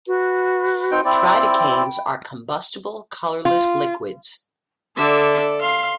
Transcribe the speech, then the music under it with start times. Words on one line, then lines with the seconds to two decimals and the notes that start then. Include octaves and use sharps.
Tridecanes are combustible colourless liquids.
0.06 F#4 B4
0.91 C4 D#4 G5
1.05 C4 E4 D5 G5 B5
3.45 F4
4.97 D3 A4 D5 E5
5.62 F5 C6